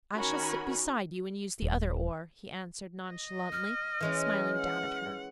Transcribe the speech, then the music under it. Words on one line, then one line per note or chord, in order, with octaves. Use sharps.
"I shall sit beside you and use the other oar," he answered nonchalantly, smiling down at her.
D#3 C#4 F#4 A#4 G#5 B5
D#1
D#5
F6
E3 G#3 C#4
F#5